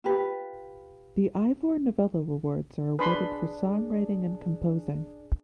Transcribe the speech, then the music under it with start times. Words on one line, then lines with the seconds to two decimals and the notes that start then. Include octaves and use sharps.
The Ivor Novello Awards are awarded for songwriting and composing.
0.04 F4 G4 B4
2.99 D4 G#4 B4 B5 C6